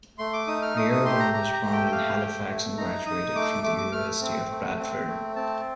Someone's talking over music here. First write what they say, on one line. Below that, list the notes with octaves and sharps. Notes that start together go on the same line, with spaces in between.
Riordan was born in Halifax and graduated from the University of Bradford.
A3 C6
D6
D#4 D#6
F6
A3 D#6
D#6
G4 C6
A#5
G4 A#5
A#5
A3
G5
G5
G4 F5
A3 G5
A3
D#4 A#5
D#4 D#6
A3 D6
A3 D6
D6
A3 F6
C4
A3
C4
A3
C4 A5